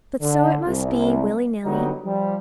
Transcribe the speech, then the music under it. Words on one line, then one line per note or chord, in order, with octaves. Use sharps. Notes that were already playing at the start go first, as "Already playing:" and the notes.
But so it must be, willy-nilly.
D3
C2
D3 F#3 G3 B3 D#4
F3 G3